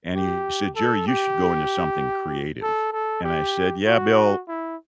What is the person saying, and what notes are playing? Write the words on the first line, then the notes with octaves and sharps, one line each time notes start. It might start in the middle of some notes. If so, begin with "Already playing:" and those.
and he said, "Jerry, you should go into something creative," and I said, "Yeah, Bill,
G4
A4
G4
A4
A4
G4
F#4
E4